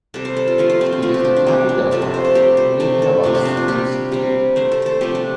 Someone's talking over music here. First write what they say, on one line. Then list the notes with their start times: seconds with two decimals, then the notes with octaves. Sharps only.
It is the capital of Rietavas municipality.
0.14 C3 G3 A4
0.25 C5
0.37 A4
0.48 F4
0.58 D3 F3 A3 F4
0.70 F4
0.81 C4
0.92 C4
1.02 D3 F3 A3 F4
1.14 G4
1.25 D4
1.36 D4
1.46 C3 G3 D4
1.69 D4
1.91 C3 F3 A3 A4
2.02 A4
2.14 C5
2.25 A4
2.35 C3 G3 G4
2.57 C5
2.80 C3 A3 A4
3.02 A4
3.23 C3 F3 A3 D4
3.35 C4
3.45 D4
3.57 F4
3.68 C3 G3 G4
4.12 C3 G3
4.56 D3 A3 C5
4.72 A4
4.82 A4 C5
5.01 C3 F3 A3 G4
5.15 D4